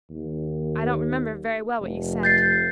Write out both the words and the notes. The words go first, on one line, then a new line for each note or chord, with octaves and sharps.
I don't remember very well what you said.
D#2
F1
G6 A6 C7